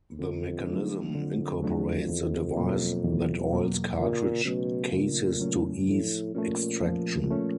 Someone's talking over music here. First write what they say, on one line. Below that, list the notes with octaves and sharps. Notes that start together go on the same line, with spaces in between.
The mechanism incorporates a device that oils cartridge cases to ease extraction.
F2 D3
F#3 A3 D4
F2 D3
F#3 A3 D4
E2
B2 F#3 A#3
E2
B2 F#3 A#3
A#2 C#3
B2 F#3 A3 C#4
A#2 C#3
F#3 A3 C#4
A2 F3
A#2 A3 C#4
A#2 F3
A3 C#4